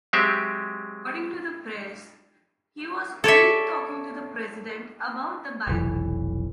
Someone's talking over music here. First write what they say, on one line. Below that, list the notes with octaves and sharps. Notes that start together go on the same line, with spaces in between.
According to the press, he was only talking to the President about the Bible.
F#3 G#3 C4 G4 E5
A4 C#5 D5 E5
F1 B1 E3